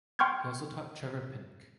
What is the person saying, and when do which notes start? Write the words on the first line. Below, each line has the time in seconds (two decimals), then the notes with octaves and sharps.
He also taught Trevor Pinnock.
0.19 G5 C6 C#6 F6 G6 G#6